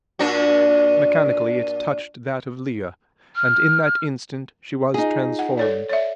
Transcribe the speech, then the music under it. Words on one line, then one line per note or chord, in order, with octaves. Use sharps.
Mechanically it touched that of Lilla, and in that instant she was transformed.
A#2 D4 F#4
F6
D#4 F4 G#4
F#5
A4 C#5 D5
C#5 D5 E5